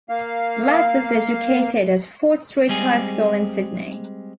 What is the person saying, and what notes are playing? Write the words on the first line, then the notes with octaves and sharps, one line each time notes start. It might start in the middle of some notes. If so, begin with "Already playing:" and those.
Black was educated at Fort Street High School in Sydney.
A#3 F5
G3 G#3 C4 G#4